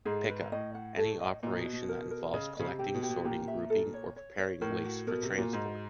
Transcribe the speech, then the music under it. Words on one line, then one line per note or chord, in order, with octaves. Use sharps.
Pickup: any operation that involves collecting, sorting, grouping or preparing waste for transport.
G#2 G#4
B4
A2 D#5
F#5
A4
D#5
A#2 D#5
B2
D#5
B2
A#4
A#4
C#3 D#5
C#3 D#5
C3
C3 G4
B2
G4
B2
A#2 G4
E5
A4
C#5
C#5
C#5
A2 A#4
F#4
B2 A#4
C3
F#4
A#2
G#2 C5